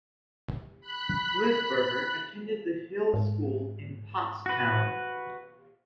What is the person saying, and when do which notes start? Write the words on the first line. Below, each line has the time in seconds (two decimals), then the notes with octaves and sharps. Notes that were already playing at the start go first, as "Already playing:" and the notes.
Lisberger attended The Hill School in Pottstown.
0.80 B5 F#6
3.14 G#2
4.46 F#4 B4